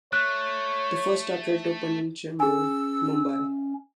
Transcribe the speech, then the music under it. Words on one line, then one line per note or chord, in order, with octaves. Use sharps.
The first outlet opened in Chembur, Mumbai.
A3 C#5 F#6
C#4 G#4 G#5 E6